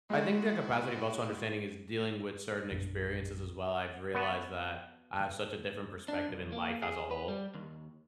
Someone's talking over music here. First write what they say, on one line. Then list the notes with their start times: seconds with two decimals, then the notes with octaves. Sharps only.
I think the capacity of also understanding is dealing with certain experiences as well, I've realized that I have such a different perspective in life as a whole.
0.10 G#3 E4 F#4
2.71 A#1 F#2 F3 D4
4.14 B3 F#4 B4 A5
6.08 D4
6.29 B1
6.52 A#3
6.82 G#4
7.11 B4
7.28 G3
7.55 D#2